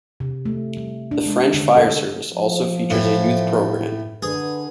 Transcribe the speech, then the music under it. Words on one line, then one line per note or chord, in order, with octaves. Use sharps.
The French fire service also features a youth program.
C3
A3
G3
D4
G#3
D3
A4
F3
A2 E3
D3 G#4 B4